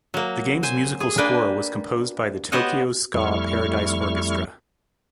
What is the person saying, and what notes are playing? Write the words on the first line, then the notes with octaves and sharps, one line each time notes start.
The game's musical score was composed by the Tokyo Ska Paradise Orchestra.
F#3 A#3
C5 G#5
G#4
A#3 D4 B4 G5 G#5
B3 G4 C5 C#5 D#5 F#5
F2 G3 A3 E4 C#6 F6